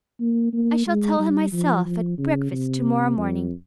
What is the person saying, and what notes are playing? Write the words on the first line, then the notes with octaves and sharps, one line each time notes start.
I shall tell him myself at breakfast to-morrow morning.
A#3
A#3
G#3
G3
F3
F3
C#3
C3
F2